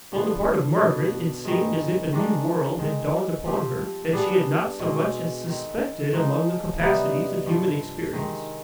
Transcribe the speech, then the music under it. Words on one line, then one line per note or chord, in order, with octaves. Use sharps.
On the part of Margaret, it seemed as if a new world had dawned upon her that she had not so much as suspected among the capacities of human experience.
G2 D3 F3 B3
B2 B3 D4
G2 D#3 G#3
D#3 G#3 D4
D#3 G#3 C4
F3 C4 G4
G3 B3 D4 G#4
B2 G#3 C4
D#3 G#3 C4
F3 G#3 C4 D#4
C3 G3 B3 D#4
G2 F3 C4
D#3 G#3 C4